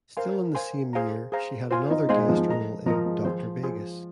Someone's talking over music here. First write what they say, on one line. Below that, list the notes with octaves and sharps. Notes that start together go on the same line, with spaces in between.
Still in the same year, she had another guest role in "Doctor Vegas".
A#4 C5 F5 G#5 C6
C5 F5 G#5 C6
G#4 C5 F5 A#5
G#4 C5 F5 A#5
F4 C5 F5 G#5 C6
D#4
G#3 C5 F5 G#5 C6
G#3
F3
G#3
A#4 D#5 A#5
F3 A#4 D#5 A#5
G#3
F3 F4 G#4 C5
F4 G#4 C5